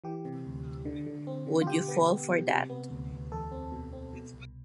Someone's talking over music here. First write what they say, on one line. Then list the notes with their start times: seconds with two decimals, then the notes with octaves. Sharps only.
Would You Fall for That?
0.04 E3 G4
0.25 C3
0.45 D2
0.66 D2
0.85 D3
1.06 D3
1.27 C4
1.47 D3
1.62 F4
1.67 B2 G4
1.88 B3
2.08 B3
2.29 B2
2.49 C3
2.70 B3
2.90 D2
3.11 D2
3.32 E2 A4
3.51 C4
3.72 B2
3.93 C4
4.13 B2
4.33 C2